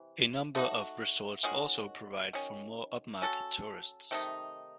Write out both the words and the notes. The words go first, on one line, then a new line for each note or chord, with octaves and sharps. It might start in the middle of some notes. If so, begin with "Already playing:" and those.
A number of resorts also provide for more upmarket tourists.
Already playing: C3 E3
A3 D#4 F#4
D#3 G#3 C#4 F#4
D#3 F#3 C#4
F#3 C#4 F#4 A4
C3 D#3 A3 D#4